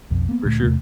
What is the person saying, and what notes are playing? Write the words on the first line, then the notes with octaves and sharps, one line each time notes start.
For sure.
B1 F2
A#3 B3
D2 A#2 A3
E2 C3 A3